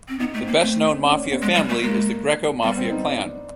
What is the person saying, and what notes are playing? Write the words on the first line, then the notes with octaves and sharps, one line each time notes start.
The best known Mafia family is the Greco Mafia clan.
C4
B3 D#4
A3
C4
A#3
A3 C4
C#4
D4
C#4
B3
G#3
G3
A3
G#3 A#3
G3 B3
C4
D#4
D4